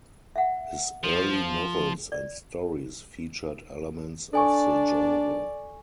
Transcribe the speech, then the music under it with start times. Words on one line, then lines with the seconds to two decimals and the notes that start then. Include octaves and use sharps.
His early novels and stories featured elements of the genre.
0.36 E5 F#5
1.03 F3
2.12 D5
4.33 D4 A4 D5 G#5 C#6